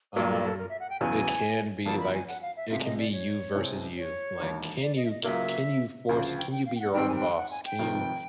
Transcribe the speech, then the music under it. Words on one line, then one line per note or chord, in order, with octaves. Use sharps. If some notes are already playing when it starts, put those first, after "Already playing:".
um, it can be, like, it can be you versus you, like, can you ca can you force can you be your own boss, can you
B1 A#2 F#3 A#3 A#4
A4
A4
A#4
E5
F#5
G5
E1 E2 C#3 F#3 B3 G#5
F1 F2 D3 F#3 A#3 A5
B5
G#5
F#5
F5
E5
C#2 C3 F3 G#3 E5
D#5
D5
C#5
C2 C3 E3 G#3 C4
C#5
E1 D#2 D#3
D5
D#5
E5
D#5
C#2 C#3 F#3 A#3 E5
D2 C#3 F3 F5
F5
G5
G5
F5
G5
F#5
G#2 D#3 G3 C4 G5
G#5
G5
F#5
G#5
G5
F1 F2 C3 D#3